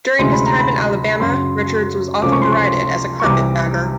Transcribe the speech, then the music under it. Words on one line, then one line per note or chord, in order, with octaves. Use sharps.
During his time in Alabama, Richards was often derided as a "carpetbagger".
D2 C3 E3 G#3 C#4 C6
B5
A#5
B5
F#2 C#3 F#3 C6
C#2 C3 F3 A3 C#4 D6
C#6
C6
C#6
C#6
C2 C3 E3 D6